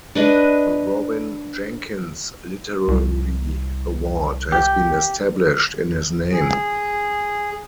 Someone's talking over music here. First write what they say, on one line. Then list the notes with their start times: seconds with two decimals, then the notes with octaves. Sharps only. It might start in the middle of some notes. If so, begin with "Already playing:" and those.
The Robin Jenkins Literary Award has been established in his name.
0.15 D4 B4 D#5
2.88 C2
4.52 G4
6.32 G#4